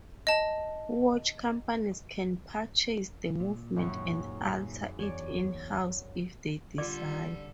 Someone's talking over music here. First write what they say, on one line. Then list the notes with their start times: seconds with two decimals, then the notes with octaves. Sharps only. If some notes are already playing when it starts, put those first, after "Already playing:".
Watch companies can purchase the movement and alter it in house if they desire.
0.27 D#5 A5
3.40 A#2
3.76 G#1 F#2 C#6
4.99 E2 C#5 D5
6.78 D3 G3 F4 A4 D5 D6